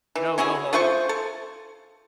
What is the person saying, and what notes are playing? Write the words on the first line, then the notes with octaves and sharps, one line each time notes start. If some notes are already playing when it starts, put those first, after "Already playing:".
"No, go home.
E3
F#3 C#4 E4 G#4
A3 F4 C5 C#6
A4